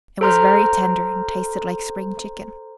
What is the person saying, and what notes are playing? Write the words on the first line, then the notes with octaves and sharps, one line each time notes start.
It was very tender and tasted like spring chicken.
A4 C5 A#5 C6 F6 G6